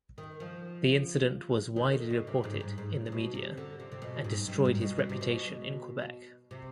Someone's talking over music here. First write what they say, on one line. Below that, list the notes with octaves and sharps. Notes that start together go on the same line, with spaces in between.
The incident was widely reported in the media and destroyed his reputation in Quebec.
D#3
F3
D#3
D3
B2
C3
G#2
G#2
G#2
C3
B2
C3
D3
C3
C3
B2
G#2
G2
G#2
B2
B2
C3
B2
C3